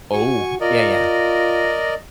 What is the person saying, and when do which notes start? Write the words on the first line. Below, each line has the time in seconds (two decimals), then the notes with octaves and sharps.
Oh, yeah, yeah.
0.13 F#4 G#5 C#6
0.61 F4 A#4 D5 D#5